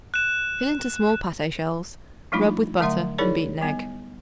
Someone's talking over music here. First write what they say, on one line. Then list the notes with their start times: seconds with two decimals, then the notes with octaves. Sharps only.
Fill into small pate shells; rub with butter and beaten egg.
0.14 F#6 E7
2.32 F3 G3 A3 D4 D#4 F4
2.80 D3 F#3 A3 E5 F#5 C6
3.18 D#4 E4 G#4 A#4 C#5 D5
3.61 G3 B3